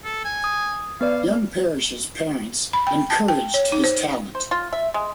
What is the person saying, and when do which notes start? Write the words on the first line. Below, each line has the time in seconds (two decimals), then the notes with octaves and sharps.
Young Parrish's parents encouraged his talent.
0.05 A4
0.25 G#5
0.44 D#6
1.01 B3 B4 D5 F5
2.73 B5
2.87 G5
3.10 A5
3.28 G5
3.54 C#5
3.72 D#4
3.84 C5
4.35 C5
4.51 F4
4.73 E5
4.94 G#3